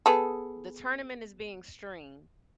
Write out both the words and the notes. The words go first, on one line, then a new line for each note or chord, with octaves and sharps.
the tournament is being streamed
B3 G#4 A4